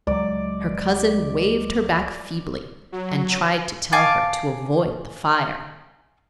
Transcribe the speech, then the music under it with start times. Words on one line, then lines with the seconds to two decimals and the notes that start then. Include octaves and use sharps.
Her cousin waved her back feebly, and tried to tell her to avoid the fire.
0.07 C#2 F#3 G#3 D5
2.92 F#3
3.92 F5 G#5 A5 D6